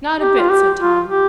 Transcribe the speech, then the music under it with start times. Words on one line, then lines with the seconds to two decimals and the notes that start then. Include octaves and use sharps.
"Not a bit," said Tom.
0.20 G4
0.39 F4
0.50 G4
0.79 F4
1.08 G4